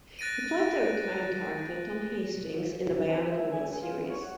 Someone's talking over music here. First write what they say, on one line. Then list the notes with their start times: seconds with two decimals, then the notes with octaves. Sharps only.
He played the recurring character Tom Hastings in the "Bionic Woman" series.
0.19 F#6 A6 A#6 D7 D#7
3.07 C3
3.20 F3
3.32 E5
3.52 G#5
3.68 C#2
3.81 F4
3.98 E2
4.09 C#5
4.22 F#5